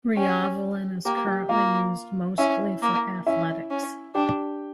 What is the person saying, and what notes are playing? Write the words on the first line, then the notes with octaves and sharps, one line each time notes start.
Ryavallen is currently used mostly for athletics.
C#4 G4 G5
A#3 G4 G5
G4 G5
A#3 F4 F5
C#4 E4 E5
A#3
C#4 E4 E5
C#4
D4 G4 G5